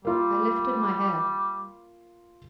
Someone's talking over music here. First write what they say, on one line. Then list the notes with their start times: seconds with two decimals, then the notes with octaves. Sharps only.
I lifted my head.
0.05 G3 A#3 F4 A#4